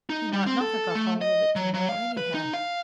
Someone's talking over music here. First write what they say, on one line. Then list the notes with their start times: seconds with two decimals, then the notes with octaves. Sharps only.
He might not have got hold of it, you know, anyhow.
0.10 D#4
0.33 G3
0.47 C4
0.61 A4
0.95 A3
1.21 D#5
1.56 F#3
1.74 F#3
1.89 F5
2.17 B4
2.34 D#4
2.54 F5